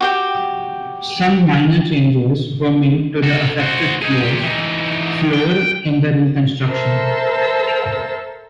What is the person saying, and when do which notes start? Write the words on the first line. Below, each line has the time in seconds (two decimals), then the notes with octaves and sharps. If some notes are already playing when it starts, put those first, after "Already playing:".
Some minor changes were made to the affected floors floor in the reconstruction.
0.01 F#4 G4 G5
3.23 F#4 A4
3.60 F#4 C5
4.02 D#4 G#4
4.20 A#2 G4
4.43 E3 D#4
5.33 G5
6.69 A4 A#4 C5 E5 A5 E6